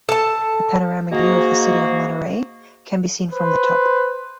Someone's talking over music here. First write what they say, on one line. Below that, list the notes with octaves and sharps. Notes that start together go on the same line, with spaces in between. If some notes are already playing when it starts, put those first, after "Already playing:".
A panoramic view of the city of Monterrey can be seen from the top.
A4 A5
G#2 A#3 F#4 G#4
B4 C5